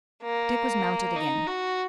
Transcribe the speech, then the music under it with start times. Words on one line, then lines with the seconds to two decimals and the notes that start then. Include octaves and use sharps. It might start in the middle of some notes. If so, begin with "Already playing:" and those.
Dick was mounted again.
0.23 A#3
1.16 D#4
1.47 F#4